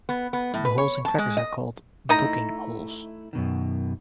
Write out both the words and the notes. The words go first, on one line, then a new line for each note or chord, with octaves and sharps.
The holes in crackers are called "docking" holes.
B3
B3
A2
B4
C#5
A5
G#3
D#5
A3 D#4 E4 D#5 A#5
F#2 B2 D#3